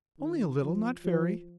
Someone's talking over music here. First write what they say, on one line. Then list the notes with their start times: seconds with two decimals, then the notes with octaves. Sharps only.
"Only a little--not very."
0.19 D#3
0.62 F3
1.05 F3